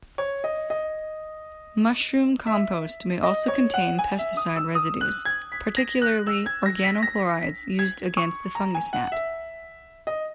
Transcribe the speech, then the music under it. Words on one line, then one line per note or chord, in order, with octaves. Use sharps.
Mushroom compost may also contain pesticide residues, particularly organochlorides used against the fungus gnat.
C#5
D#5
D#5
E5
D#5
C#5
F#5
G#5
E5
D#6
E6
D#6
F#6
G#6
B6
A#6
F#6
E6
G#6
A#6
B6
A#6
B6
G#6
C#6
A#5
G#5
F#5
E5
D#5